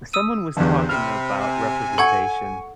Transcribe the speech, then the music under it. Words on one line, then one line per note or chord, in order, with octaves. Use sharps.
someone was talking about representation
D#6 E6 D#7
G1 E2 G2
C3 B5 F6
G#5
A4 F#5 C#6 G#6